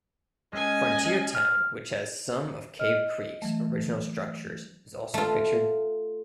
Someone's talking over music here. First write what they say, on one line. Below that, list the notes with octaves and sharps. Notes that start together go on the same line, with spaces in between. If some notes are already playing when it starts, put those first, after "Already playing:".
Frontier Town which has some of Cave Creeks original structures is also pictured.
G#3 C#4 D#5 G#5
F6
D#5 F6
E3 F#3 A3
A3 F4